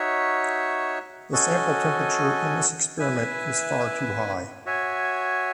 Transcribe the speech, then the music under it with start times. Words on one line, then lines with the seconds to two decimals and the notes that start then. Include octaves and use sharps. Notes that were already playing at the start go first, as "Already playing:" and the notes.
The sample temperature in this experiment is far too high.
Already playing: D#4 F#4 C#5 E5
1.32 C#4 F#4 A4 D#5 G#5
2.99 E4 B4 E5 G#5
4.66 F#4 C#5 E5 G#5